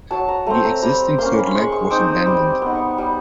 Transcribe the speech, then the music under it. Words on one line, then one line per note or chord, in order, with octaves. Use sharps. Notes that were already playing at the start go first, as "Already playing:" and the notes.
The existing third leg was abandoned.
F#3 A5
A#5
A3 C4 A#5
A#5
G3 A#5
A#3 C#4 C6
B5
C6
G#3 C#6
C#6
C4 D#4 D6
D#6
G3 D6
D6
B3 D#4
C#6
G3